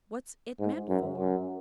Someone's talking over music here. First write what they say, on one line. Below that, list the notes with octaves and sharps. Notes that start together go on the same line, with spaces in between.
'What's it meant for?'
G#2
F#2
F#2